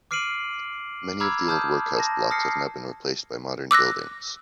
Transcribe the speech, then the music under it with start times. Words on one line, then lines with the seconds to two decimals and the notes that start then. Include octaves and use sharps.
Many of the old workhouse blocks have now been replaced by modern buildings.
0.11 D6 F6 C7 D7 D#7 F#7
1.20 A#5 B5 D6 E6 F6 G#6
1.48 A5 D#6 F6 G6 G#6
1.97 A5 A#6
2.31 D#6 F6 A#6 C7 C#7
3.71 D6 E6 F#6 A#6